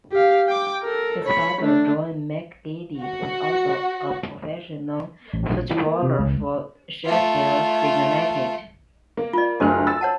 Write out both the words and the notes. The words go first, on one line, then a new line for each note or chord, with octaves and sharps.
His father, John McGeady, was also a professional footballer for Sheffield United.
G4 F5
G5 D6
A4 A#4
C#5 B5
A3 D4
F#4
A1
A#1
E3
A#3
C3
C#2
A3 F4
A#3
F4 D5
F#1 D2 F#4 A#4 F6
E6 A6
C#5 F#5 A5